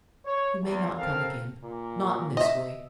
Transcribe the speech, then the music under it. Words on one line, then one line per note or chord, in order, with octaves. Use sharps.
You may not come again,--not in this way.
C#5
E2
C4 A4 A#4 F5
A#2
D#5 E5